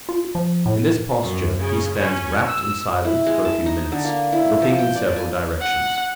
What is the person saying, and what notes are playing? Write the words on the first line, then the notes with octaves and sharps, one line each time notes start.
In this posture he stands rapt in silence for a few minutes, looking in several directions.
F4
F3
A2
F#2
C#3
C#4
E6
E4
G#3
A5
D#4
D3
A#3
E4
F3
G5
D5
G#5
F#5